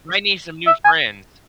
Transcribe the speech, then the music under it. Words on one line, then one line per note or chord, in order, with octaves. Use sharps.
Might need some new friends.
E5
G#5